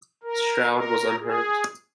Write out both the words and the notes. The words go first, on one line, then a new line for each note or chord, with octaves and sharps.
Stroud was unhurt.
A#4
A#4
G#4